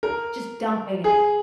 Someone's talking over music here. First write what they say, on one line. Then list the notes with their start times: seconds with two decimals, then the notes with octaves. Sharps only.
just dumping it?
0.03 A#4
1.04 G#4